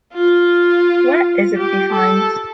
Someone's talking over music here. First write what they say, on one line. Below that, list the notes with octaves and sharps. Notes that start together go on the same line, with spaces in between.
Where is it defined?
F4
G4
A4